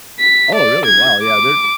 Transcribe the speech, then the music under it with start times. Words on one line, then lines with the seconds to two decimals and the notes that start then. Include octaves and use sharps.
Oh really? Wow, yeah, they're
0.20 B6
0.55 D5
0.85 G#6
1.23 D6